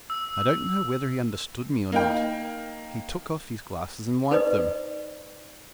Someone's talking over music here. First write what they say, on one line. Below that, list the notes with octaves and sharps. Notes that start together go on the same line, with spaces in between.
I don't know whether he understood me or not: he took of his glasses and wiped them.
E6
A#3 D#4 G5
D#4 B4 C5 D5 D#5